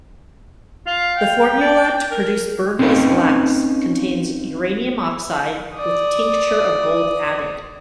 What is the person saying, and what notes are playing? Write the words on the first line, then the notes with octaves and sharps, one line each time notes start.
The formula to produce Burmese Glass contains uranium oxide with tincture of gold added.
F4 F5
G5
D5
A#4
C4 C#4 D#4 B4 F5 G5
D5 D#6